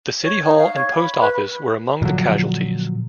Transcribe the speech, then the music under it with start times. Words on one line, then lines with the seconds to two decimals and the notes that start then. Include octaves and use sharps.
The city hall and post office were among the casualties.
0.22 C#5
0.44 D#4
0.57 F5
0.75 C#5
0.95 B5
1.20 B4
2.02 A#2 D3 F3 F#3